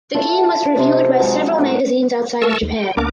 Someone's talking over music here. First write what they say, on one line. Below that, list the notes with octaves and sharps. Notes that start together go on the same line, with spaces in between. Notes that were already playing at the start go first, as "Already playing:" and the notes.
The game was reviewed by several magazines outside of Japan.
E4 F4 A4 C#5
C3 D#4 C5 G#5
F3 F#3 G#3
A2 F#3 B4 D6
A3 A4 A#4 A5 C#6 E6
D#2
G5
D2 A#3 B3 D4 A#4 D6